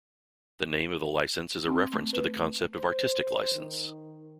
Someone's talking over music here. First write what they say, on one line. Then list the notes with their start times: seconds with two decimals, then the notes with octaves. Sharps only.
The name of the license is a reference to the concept of artistic license.
1.67 C4
1.93 A3
2.13 B4
2.74 C5
3.54 D#3